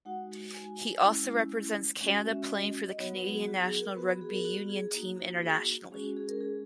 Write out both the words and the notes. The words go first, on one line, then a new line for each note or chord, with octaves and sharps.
He also represents Canada playing for the Canadian national rugby union team internationally.
G#3 D#4 F#4 F#5
G#5
G#3 C#4 E4
G#3 C#4 F#4
E5
D#5
D#5
F#3 B3 D#4 F#4 C#5
B4
G#4
F#4
G#4
A#4
B3 F#4 B4
G#4
A#4
G#4
F#4
G#4
A#3 D#4 F#4
G#4
G#3 C#4 F#4 G#4
F#4
G#4
A#4
G#4